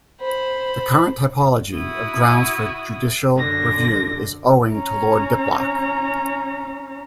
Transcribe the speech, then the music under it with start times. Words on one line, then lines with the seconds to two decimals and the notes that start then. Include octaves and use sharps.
The current typology of grounds for judicial review is owing to Lord Diplock.
0.21 C5 B5
1.76 E4 F#4 D#6
3.35 F#2 D3 A#6
4.73 C#4 A#5